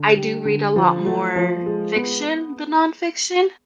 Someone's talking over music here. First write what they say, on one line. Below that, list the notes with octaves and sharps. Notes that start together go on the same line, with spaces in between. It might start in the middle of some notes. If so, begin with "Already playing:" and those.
I do read a lot more fiction than nonfiction,
Already playing: D3
G3
D3
F3
A3
F3
G#3
B3